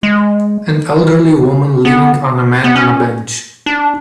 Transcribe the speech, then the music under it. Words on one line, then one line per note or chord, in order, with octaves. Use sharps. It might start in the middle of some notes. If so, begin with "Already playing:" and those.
An elderly woman leaning on a man on a bench.
G#3
B3
B3
C#4
D4